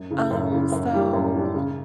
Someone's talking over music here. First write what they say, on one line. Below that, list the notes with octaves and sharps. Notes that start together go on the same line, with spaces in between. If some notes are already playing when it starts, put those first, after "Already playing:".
Um, so
Already playing: F#2
C#3 E3
F#2
C#3 E3
F#2
E3 G3 D4
F#2
E3 G3 D4
C#3